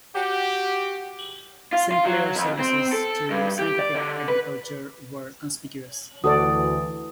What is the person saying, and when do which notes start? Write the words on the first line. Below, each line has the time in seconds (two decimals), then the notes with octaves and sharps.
Sinclair's services to scientific agriculture were conspicuous.
0.15 F#4 G4
1.73 F4
1.92 F4
2.05 F#3
2.36 F2
2.59 C4
2.93 A4
3.30 G2
3.59 G4
3.79 D5
3.95 D3
4.28 B4
6.24 D2 E3 F#4 A4 D5 D#6